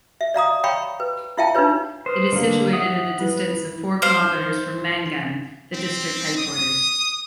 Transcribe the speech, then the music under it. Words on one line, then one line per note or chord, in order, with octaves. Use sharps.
It is situated at a distance of four kilometres from Mangan, the district headquarters.
E5
D5 F5 A#5 D#6
C#5 F5 G5 A#5 B5 C#6
B4
E4 F4 E5 F5 G5 A5
D4 D#4 F4 B4 C#5
B4 C5 D#6 F6
D3 A#3
E5 F#5 D#6
E4 B4
E4
C5 F5
C4
D#6